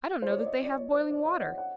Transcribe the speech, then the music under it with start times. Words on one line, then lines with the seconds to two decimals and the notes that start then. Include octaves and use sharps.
I don't know that they have boiling water.
0.22 C5
0.30 C#5
0.38 D5
0.46 D#5
0.62 D5
0.78 C#5
0.94 C5
1.10 D5
1.26 D#5
1.41 F#5
1.58 F#5